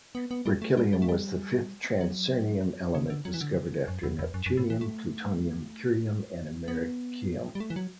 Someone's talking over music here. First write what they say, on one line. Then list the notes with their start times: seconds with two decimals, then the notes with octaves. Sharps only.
Berkelium was the fifth transuranium element discovered after neptunium, plutonium, curium and americium.
0.15 B3
0.31 B3
0.46 G3
0.62 A3
0.77 G3
0.93 G3
1.02 A3
1.09 G3
2.01 F#3
2.95 C#3
3.10 D3
3.25 F#3
3.34 E3
3.41 D3
3.88 F#2
4.03 E2
4.19 E2
4.34 F#2
4.46 F#2
4.57 A2
4.70 E3
4.81 A3
6.68 B3
7.55 G3
7.60 A3
7.70 E3
7.76 F#3